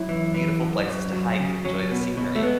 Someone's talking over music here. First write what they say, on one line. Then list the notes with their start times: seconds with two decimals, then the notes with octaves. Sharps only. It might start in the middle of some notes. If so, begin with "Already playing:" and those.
beautiful places to hike and enjoy the scenery,
Already playing: F#2 E4
0.09 E3
0.34 E3
0.60 F#2
0.87 F#2
1.13 F#3
1.40 C#3
1.65 F#3 C#4
1.91 B2
2.17 B2
2.35 A3
2.43 G#3 B3